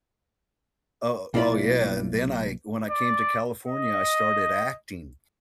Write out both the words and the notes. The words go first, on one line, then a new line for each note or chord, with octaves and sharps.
Oh oh yeah. And then I when I came to California, I started acting.
B1 A#3 E4 F4 D5 B5
D5
D#5